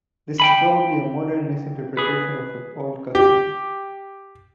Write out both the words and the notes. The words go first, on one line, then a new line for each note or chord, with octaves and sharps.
This is probably a modern misinterpretation of the old custom.
G5 G#5 B5
G#4 B4
G4